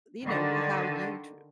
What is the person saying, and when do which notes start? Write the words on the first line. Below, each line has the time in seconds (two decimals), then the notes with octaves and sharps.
you know, how you tr
0.23 D3 D#3